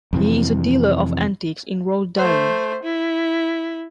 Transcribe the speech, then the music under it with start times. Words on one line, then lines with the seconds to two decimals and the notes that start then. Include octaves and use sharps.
He is a dealer of antiques in Rhode Island.
0.13 F2 C3 E3
2.17 A3 C5
2.83 E4